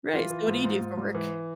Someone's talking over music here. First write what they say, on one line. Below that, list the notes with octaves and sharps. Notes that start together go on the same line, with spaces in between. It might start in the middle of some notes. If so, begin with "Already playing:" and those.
Right, so what do you do for work?
E3 F4
E3
G#2
G#2
G#2
G#2
E3